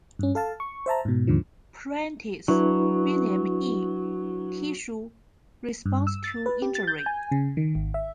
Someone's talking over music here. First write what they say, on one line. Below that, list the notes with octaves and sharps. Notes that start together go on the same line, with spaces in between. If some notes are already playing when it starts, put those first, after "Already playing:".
Prentice, William E. Tissue Response to Injury.
G2 C#4
A4 F5 A5
C#6
C5 E5 A5 A#5
G#2 B2
D#2 G#2 D3 F3
F#3 D4 E4 B4
G2
E6
A6
B4
G4
A6
G6
G#5
C#3
D#3
G#1
E5